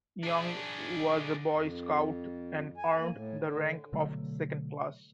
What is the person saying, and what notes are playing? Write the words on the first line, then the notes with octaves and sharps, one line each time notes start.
Young was a Boy Scout and earned the rank of Second Class.
D4 G#4
F2
G#5
A#3
A2
D3
B2 D3 F#3 A3